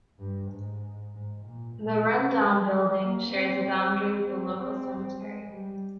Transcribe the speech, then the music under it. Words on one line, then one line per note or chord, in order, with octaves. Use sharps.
The run-down building shares a boundary with the local cemetery.
G2
G#2
G#2
A#2
A#2
C3
G#3
A#3
C4
C4
C4
G#3
G3